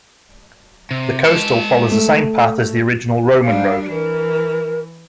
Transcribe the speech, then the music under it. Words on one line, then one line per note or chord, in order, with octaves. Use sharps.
The coastal follows the same path as the original Roman road.
C3
G#3 A5
A3
G3 D4 F5
E3 A#4